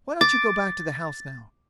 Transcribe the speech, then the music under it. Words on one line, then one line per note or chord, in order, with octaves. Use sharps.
"Why don't you go back to the house now!"
D6 A6